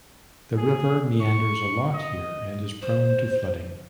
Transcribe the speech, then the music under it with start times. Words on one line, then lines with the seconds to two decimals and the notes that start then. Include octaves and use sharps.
The river meanders a lot here and is prone to flooding.
0.58 G#4
1.21 C#6
1.94 D#5
2.82 C5